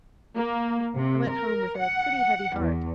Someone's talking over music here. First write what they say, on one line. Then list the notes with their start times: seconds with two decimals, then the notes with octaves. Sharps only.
I went home with a pretty heavy heart.
0.35 A#3
0.94 C3
1.28 A#4
1.78 F#5
2.58 E2